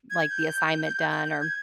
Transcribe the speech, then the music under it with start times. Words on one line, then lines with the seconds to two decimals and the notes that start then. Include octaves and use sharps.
like, the assignment done or
0.10 G#6
0.30 G6
1.12 G6
1.26 G6
1.41 G#6